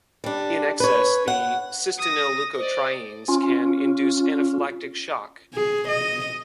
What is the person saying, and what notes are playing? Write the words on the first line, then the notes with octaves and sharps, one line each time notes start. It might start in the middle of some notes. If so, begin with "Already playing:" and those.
In excess, the cysteinyl leukotrienes can induce anaphylactic shock.
G3 D4
B4 C#5
F#5
D#6 A#6
C5 D5 D#5
C#4 F4
G#4
D#5